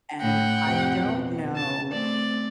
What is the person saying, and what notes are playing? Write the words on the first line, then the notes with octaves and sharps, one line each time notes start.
and I don't know
A2 F#5 G5
F2 C3
B2
A5
A3 C4 D5